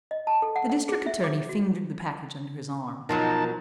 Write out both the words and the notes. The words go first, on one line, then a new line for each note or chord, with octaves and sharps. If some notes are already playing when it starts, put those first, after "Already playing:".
The district attorney fingered the package under his arm.
D#5
A5
A4
F#5
F#5
G#4
E5
D6
F#4
B2 F3 F#3 D#4 A#4 A5